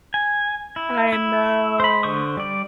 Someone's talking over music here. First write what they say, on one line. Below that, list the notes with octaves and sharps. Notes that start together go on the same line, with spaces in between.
I know.
G#5
E4
E4
C5 B5
D3 C5 C#6 D#6
G3 D5